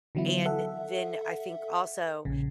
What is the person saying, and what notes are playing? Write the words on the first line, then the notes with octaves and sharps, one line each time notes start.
and then, I think also
D3 E3 F#3 B3 E4
A4 E5 F#5
A#1 C#3